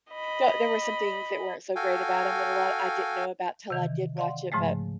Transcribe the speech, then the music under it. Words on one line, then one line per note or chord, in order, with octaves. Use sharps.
there there were some things that weren't so great about him that a lot I didn't know about 'til I did watch it, but
D#5 B5
F#4 A4 F5 G5 G#5
C3 D#3 E3
D5 D#5 F5 F#5 C6
G#2 C#3 F3 G#3 A3